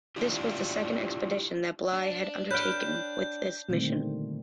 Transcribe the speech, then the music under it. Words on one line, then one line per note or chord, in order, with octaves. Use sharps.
This was the second expedition that Bligh had undertaken with this mission.
D4 E4 F4 G4
D4
B4 C#5 G5 F6 G6
A#2 D3 D#3 G3 A3 C4